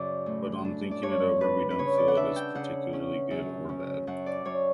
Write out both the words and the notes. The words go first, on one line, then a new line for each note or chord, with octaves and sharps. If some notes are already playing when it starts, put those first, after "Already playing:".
But on thinking it over, we don't feel it is particularly good or bad.
Already playing: F#2 C#3 D5
A2
D4
D5
G2 C#5
D4 B4
B4
C#3 C#5
D5
F#5
D4 E5
G5
C#3 F#5
C#4
F#2
C#4
F#2 F#5
D5
F#2 C#5